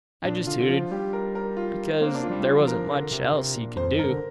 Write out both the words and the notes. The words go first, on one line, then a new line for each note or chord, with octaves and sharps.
I just hooted, because there wasn't much else he could do.
A#2 D4
D3 F4
D3
F3 F4
G3 G4
A#4
A#4
F4
A#3 C4
D4
F4
G3
F4
F3
A#4
D3
C3
C3
A#2
F2 C5
G2 A#4
D3